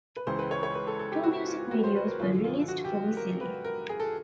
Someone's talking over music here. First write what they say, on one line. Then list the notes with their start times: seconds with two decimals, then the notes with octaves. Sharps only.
Two music videos were released for Missile.
0.16 B4
0.27 C#2 C#3 E3 C5
0.39 B4
0.51 C#5
0.63 C#5
0.75 B4
0.87 A4
0.99 A4
1.12 G4
1.24 F#4
1.48 F4
1.71 F#4
1.84 C5
1.96 B4
2.08 A#4
2.20 G#1 F#2 D3 F3 F4
2.44 F4
2.68 F#4
2.85 G4
3.17 A#4
3.41 B4
3.65 A#4
3.89 G#4
4.00 A4